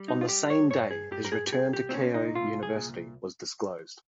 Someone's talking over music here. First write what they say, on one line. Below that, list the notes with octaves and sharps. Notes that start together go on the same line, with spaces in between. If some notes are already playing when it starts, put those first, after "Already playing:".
On the same day his return to Keio University was disclosed.
Already playing: G3
D#4
F4
G3 G4
C#5
G2 C#5
G#4
G2 G4
A#4
G#4
G4
C2 G#4
G4
C4
A#2 C#4
D#4
C2 F4
G#4
A#2